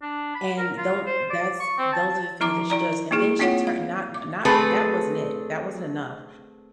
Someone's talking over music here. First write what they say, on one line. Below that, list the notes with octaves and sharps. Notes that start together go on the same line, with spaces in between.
And though that's those are the things that she does. And then she turn not not that wasn't it, that wasn't enough.
D4
B5
A#4
F4
C5
D5
C#6
C4
A5
F3 E4 A#5 D6
E4 D5 A#5
A#3 D#4 E4 G#4
A#3 C4 D#4 F4 C#5 F#5
F5
D6
A3 C4 G#4 A4 B4